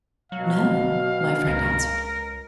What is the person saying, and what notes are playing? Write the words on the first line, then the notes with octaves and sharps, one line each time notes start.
"No," my friend answered.
B2 F#3 F5
C#2 A#4